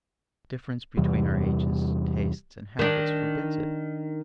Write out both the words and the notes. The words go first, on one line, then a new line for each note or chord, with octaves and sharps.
The difference between our ages, tastes, and habits, forbids it.
E2 C3 E3 G3
D#3 D4